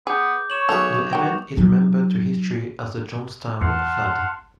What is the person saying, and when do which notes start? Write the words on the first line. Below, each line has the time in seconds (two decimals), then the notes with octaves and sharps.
The event is remembered to history as the Johnstown Flood.
0.07 B3 G#4 D6 G6
0.50 C#5 C#6 E7 F#7
0.69 B1 G#4 A4 B4 F7
1.13 D#3 F#4 G5
1.57 F#3 D#4
3.61 E2 F5 F#5 A5 C6